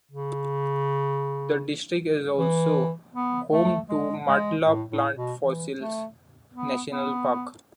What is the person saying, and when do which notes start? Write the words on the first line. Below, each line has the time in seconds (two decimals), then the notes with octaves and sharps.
The district is also home to Mandla Plant Fossils National Park.
0.11 C#3
2.38 E3
3.14 B3
3.51 A3
3.89 G#3
4.27 G#3
4.65 A2
4.90 A2
5.15 B2
5.41 E3
5.79 A3
6.54 B3
6.92 B3